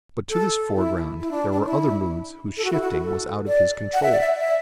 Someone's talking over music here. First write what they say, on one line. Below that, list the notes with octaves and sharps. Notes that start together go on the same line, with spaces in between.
But to this foreground there were other moods whose shifting was out of his control.
A4
E4
E4
D4
D4
E4
A4
F#4
E4
F#4
A4
D5
F#5
E5
D5
E5
E5